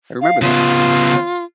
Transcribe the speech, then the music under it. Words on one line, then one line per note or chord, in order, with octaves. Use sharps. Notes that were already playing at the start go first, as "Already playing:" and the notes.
I remember that.
F5
C#3 B3 F4